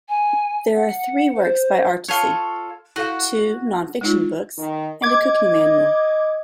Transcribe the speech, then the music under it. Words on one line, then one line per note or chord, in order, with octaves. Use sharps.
There are three works by Artusi: two non-fiction books and a cooking manual.
G#5
F#5
C5
F4 A4 C#5
E4 F#4 A4 F5
G#3 D#4 F4
D#3
D#5 D6 G#6